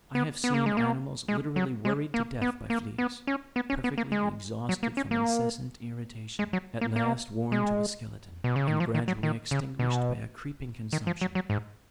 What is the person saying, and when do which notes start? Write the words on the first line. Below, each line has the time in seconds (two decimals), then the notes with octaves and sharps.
I have seen animals literally worried to death by fleas, perfectly exhausted from incessant irritation, at last worn to a skeleton, and gradually extinguished by a creeping consumption.
0.15 B3
0.44 B3
0.54 A#3
0.66 G#3
0.77 A#3
1.28 G#3
1.56 F#3
1.85 G#3
2.14 A#3
2.42 B3
2.70 A#3
2.98 B3
3.27 C#4
3.56 B3
3.70 C#4
3.84 B3
3.98 A#3
4.12 G#3
4.69 F#3
4.83 A#3
4.97 C#4
5.11 A#3
6.39 G#3
6.53 F#3
6.81 A#3
6.96 A#3
7.52 G#3
8.44 B2
8.56 C#3
8.68 D#3
8.80 F3
8.95 D#3
9.08 F#3
9.23 D#3
9.51 C#3
9.79 B2
10.93 D#3
11.07 F3
11.21 F#3
11.35 F#3
11.50 G#2